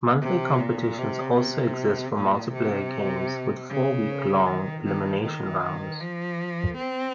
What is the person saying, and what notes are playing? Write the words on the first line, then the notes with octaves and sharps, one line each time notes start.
Monthly competitions also exist for multiplayer games with four week-long elimination rounds.
C3
A#2
C3
C3
A#2
C3
C#3
D#3
D#3
D#3
F3
C4